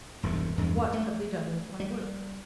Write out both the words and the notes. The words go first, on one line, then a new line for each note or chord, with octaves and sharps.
What have they done with my work?
E1 C2 G2 C3
E2 G2 G#3
A3
G3